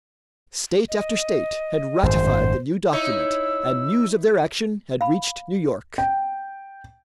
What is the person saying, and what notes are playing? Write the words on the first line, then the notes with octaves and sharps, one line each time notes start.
State after state had ratified the new document, and news of their action had reached New York.
D#5
G#1 F#2 A2 C5
D#4 E4 C#5 E6
F5 B5
G5